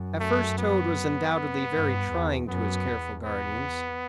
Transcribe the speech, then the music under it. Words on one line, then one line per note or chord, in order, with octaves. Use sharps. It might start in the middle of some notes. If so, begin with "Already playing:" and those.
At first Toad was undoubtedly very trying to his careful guardians.
Already playing: F#2
A3
B3
G2
E2
F#2 B3
E2
B3